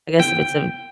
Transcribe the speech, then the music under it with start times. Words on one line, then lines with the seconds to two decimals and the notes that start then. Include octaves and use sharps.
I guess if it's a
0.19 G5